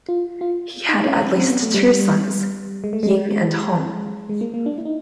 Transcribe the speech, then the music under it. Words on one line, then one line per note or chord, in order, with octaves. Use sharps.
He had at least two sons: Ying and Hong.
F4
F4
D#4
C#4
C#4
C4
B3
A3
G3
G3
G#3
A3
G#3
G#3
A#3
A#3
D4
E4
D#4